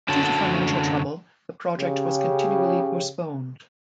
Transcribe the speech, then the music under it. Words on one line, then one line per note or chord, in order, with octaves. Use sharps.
Due to financial trouble, the project was continually postponed.
F#2 D3 F#3 A5
C#3 G4